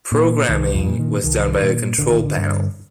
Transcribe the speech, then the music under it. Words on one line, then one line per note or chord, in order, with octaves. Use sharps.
Programming was done by a control panel.
A#2
C2 D#3
F2 F3
A#2
D#3
C2 D#3
A#2
A1 D3
D#3
D3
G2 D3